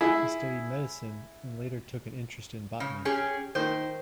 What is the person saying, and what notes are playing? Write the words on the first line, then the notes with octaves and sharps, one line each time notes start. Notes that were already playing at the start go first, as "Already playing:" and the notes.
He studied medicine and later took an interest in botany.
E4 G#4
C#3
C#4 G4 G#4
D#3 C5